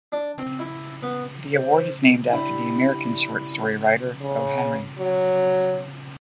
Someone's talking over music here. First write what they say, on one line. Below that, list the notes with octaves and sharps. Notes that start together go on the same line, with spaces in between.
The award is named after the American short story writer, O. Henry.
D4
C4
E4
B3
C5
D4 E4 G4
C#3
F#3